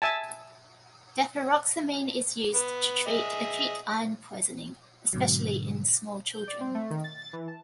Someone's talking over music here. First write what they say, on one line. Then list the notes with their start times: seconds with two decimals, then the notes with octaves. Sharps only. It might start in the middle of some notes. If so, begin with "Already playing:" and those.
Deferoxamine is used to treat acute iron poisoning, especially in small children.
0.02 E5 G#5 A5
2.55 B3
3.07 G#4 D#5 E5
5.13 G#2 B2 D3 F#3
6.33 G6
6.48 D5
6.61 C4
6.75 A3
6.90 D#3
7.04 A6
7.22 A6
7.33 E3
7.48 A5